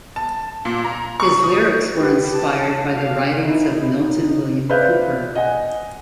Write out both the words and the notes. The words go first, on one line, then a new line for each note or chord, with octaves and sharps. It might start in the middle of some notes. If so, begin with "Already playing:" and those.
His lyrics were inspired by the writings of Milton William Cooper.
A5
A#2
A#5
C#6
D#6
G4 B4
A5
F5
D#4 E4
D#4
B4 C5 D5 E5 F5 G6
D#5 F#5 G#5